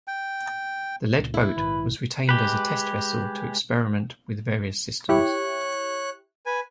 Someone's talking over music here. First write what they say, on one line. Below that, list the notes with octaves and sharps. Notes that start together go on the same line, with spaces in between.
The lead boat was retained as a test vessel to experiment with various systems.
G5
C#2 A#2
E4
A#1 G#2 D#3 B4
G#3 G4 B4
E4 G4 C#5 F#6
B4 G#5